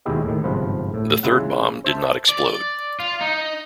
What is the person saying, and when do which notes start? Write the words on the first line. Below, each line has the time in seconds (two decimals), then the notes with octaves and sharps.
The third bomb did not explode.
0.05 D#2 B2 G#3 E4 G4 D#5
0.25 A2 D#3
0.44 G1 G#2 C3 F3 F4 B4
0.94 A2
1.23 C#3 G#3 E4 F4 F5 F#5
1.84 C5 E5 A5
2.29 D5
3.00 F4
3.21 D#4